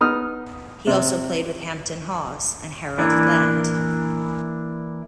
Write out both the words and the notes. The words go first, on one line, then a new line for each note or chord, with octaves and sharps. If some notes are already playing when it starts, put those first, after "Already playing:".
He also played with Hampton Hawes and Harold Land.
B3 D#4 D#6 F6
C3
E3 A#3 D4 E4